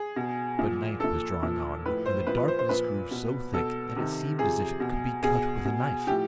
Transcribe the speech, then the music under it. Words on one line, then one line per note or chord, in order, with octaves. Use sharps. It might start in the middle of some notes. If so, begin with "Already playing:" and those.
But night was drawing on, and the darkness grew so thick that it seemed as if it could be cut with a knife.
Already playing: G#4
B2
A#2 F3
A#2 F3 A4
A#2 F3
A2 F3 B4
C5
A#2 F3 B4
B4
C5
C5
A#2 F3 B4
B2
B2 A4
C3 D#3
C3 F3 G#4
B2
B2 G#4
B2
A2 F3 G4